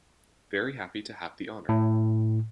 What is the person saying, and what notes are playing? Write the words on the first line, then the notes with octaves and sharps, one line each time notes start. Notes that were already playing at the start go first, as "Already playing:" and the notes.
Very happy to have the honour!
A2